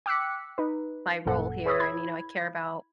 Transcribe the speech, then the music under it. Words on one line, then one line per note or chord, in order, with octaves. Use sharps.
my role here, and, you know, I care about,
G5 D6 E6 F#6 B6 C#7
D#4 B4
G#1 F#2 A#2 A4 F#5
G#4 B4 C#5 D#6 E6
E4 B5 G#6